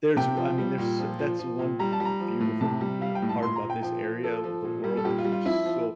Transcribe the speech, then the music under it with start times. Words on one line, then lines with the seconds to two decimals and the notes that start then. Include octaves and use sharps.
there's r I mean, there's s that's one beautiful, uh, part about this area of the world is there's so
0.16 C3 G5
0.37 F3
0.58 G3
0.78 A#2
0.99 F3
1.19 F3
1.39 F3
1.59 A#2
1.79 G3 A#5
1.92 A5
2.00 G3
2.05 A#5
2.20 F3
2.40 A2
2.60 C3 A5
2.81 G3
3.01 G3 F5
3.15 G5
3.22 A2
3.29 A5
3.42 A#2 C6
3.56 A#5
3.62 A#2
3.70 G5
3.83 F3 G5
4.02 F3
4.23 F3 A4
4.44 F3
4.64 A#2
4.84 G3
4.97 A4
5.04 A#2 G4
5.19 F4
5.25 G3
5.32 F4
5.45 F3 E4
5.65 F3